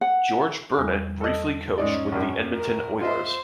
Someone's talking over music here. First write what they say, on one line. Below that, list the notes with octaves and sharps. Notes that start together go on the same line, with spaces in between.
George Burnett briefly coached with the Edmonton Oilers.
F#5
E2 G3
A4 D#5
G#2 C#4 D#4 D5
A#1 F#2
A#4
F4 C5 D#5 E5